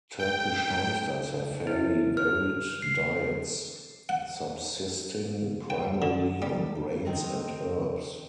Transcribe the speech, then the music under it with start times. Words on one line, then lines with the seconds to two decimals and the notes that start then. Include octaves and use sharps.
Turkish hamsters have fairly varied diets, subsisting primarily on grains and herbs.
0.19 G5
1.67 E4
2.17 F6
2.82 C7
4.09 F#5
5.70 G5
6.02 D3
6.42 G3
7.05 D#3 C4 A#4